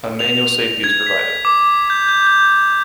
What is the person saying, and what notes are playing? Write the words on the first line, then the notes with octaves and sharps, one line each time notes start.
A manual safety is provided.
F7
G#6
B6
D6
G6
G6
G6